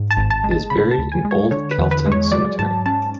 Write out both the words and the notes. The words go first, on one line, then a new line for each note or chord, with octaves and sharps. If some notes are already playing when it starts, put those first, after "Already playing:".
He is buried in Old Calton Cemetery.
Already playing: G#2
A5
G#1
A5
G#3
A5
C#3 B5
A5
D2
G#5
G#3
C#5
D3 C#5
B4
E2
B4
G#3
C#5
F#3 D5
G#2 A5
C#4 A5